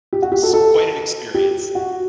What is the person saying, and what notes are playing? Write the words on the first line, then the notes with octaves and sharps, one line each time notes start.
It's quite an experience.
G4
F#4
G4
A4
A4
G4
F#4